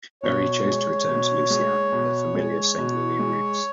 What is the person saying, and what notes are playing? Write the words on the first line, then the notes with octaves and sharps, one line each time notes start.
Berry chose to return to Lucy Ann and her familiar Saint Louis roots.
B2 C#5
G#3
B2
G#3
B2
G#3
B2
G#3